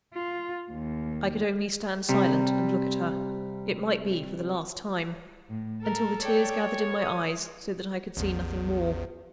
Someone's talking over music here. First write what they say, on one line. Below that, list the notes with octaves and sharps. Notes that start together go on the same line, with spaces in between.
I could only stand silent, and look at her--it might be for the last time!--until the tears gathered in my eyes, so that I could see nothing more.
F4
D#2
C3 G3
A2
A4 A#4
C#5 D5 G5
D#6
A1 E2